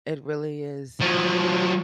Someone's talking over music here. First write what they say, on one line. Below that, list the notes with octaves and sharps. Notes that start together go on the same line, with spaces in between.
It really is.
F3 F#3